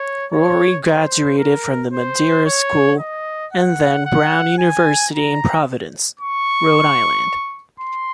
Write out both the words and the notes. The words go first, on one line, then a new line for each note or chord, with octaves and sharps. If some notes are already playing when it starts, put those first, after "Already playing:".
Rory graduated from The Madeira School and then Brown University in Providence, Rhode Island.
Already playing: C#5
C#5
C5
A#4
C5
C#5
D#5
F#5
F#5
G#5
A#5
C#6
C6